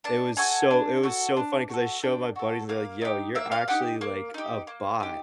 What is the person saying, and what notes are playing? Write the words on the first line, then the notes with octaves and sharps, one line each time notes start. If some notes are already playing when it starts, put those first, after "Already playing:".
It was so it was so funny 'cause I show my buddies, they're like, "Yo, you're actually like a bot.
D4 A5
F#4 A4 G#5
D4
F#4 A4
D4
F#4 A4
D4 G5
F#4 A4
A#3 F5
D#4 G4
A#3 E5
F5
D#4 G4 F#5
A#3
D#4 G4
A#3
D#4 G4